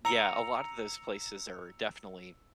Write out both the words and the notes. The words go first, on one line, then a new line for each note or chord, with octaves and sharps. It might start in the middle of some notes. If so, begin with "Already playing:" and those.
yeah, a lot of those places are definitely,
A#5 E6 C#7 F7